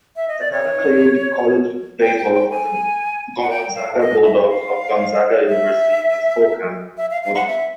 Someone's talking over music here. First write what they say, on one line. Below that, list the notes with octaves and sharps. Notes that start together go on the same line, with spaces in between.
Sakata played college baseball for the Gonzaga Bulldogs of Gonzaga University in Spokane, Washington.
E5
D#5
D5
C#5
G5
G5
G5
G#5
F#5
G5
F5
D#5
E5
F5
E5
E5
F5
F5
F#5
E5